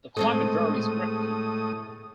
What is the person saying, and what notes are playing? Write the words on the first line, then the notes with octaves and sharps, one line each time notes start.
The climate varies greatly.
A2 G#3 C4 A4 D#6